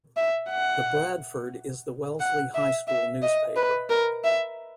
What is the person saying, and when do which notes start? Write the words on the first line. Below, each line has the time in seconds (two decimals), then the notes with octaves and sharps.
The Bradford is the Wellesley High School newspaper.
0.17 E5
0.50 F#5
2.20 F#5
2.54 E5
2.88 E5
3.22 D#5
3.56 B4
3.90 A#4
4.24 E5